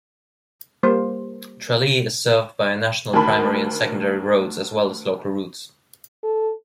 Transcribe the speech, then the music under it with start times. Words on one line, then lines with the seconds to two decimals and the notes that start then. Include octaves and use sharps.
Tralee is served by National Primary and Secondary roads as well as local routes.
0.83 G3 A#3 C5
3.13 D2 D#3 A#4 A5 B5
6.23 A4